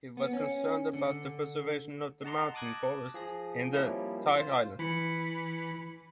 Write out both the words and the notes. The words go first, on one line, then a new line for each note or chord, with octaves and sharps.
He was concerned about the preservation of the mountain forests in the Thai highlands.
B3
C#4
D3
D#5 F#5 A5 A#5 C6
A5 D6 D#6 F#6 G#6 A#6
F3 G#4 A#6
F3 G3 A#3 C4 C#4 E4
F4 C5
E3 B5 C#7